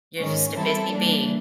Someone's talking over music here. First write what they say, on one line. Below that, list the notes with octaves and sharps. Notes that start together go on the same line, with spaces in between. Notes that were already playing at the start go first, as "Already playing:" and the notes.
You're just a busy bee.
G#2 D#3 G#3 C#4
E3 G3 C4 E4 A4
E3 G3 A#3 D4